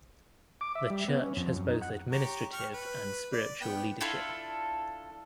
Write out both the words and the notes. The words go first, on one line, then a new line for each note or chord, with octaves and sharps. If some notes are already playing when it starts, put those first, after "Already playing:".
The church has both administrative and spiritual leadership.
D6
E5
G3
B3
C#4
F2
F#2
D#4
F#5
G4 C#5 A#5
G5 C#6 F6
B4
D5
B3 G5
D4 E4 F4 A4